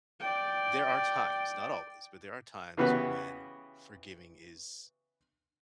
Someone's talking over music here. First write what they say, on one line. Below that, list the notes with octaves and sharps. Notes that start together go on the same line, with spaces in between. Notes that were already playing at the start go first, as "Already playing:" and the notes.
there are times, not always, but there are times when forgiving is
D5 G5
C#3 E3 B3 F#4 G4 B4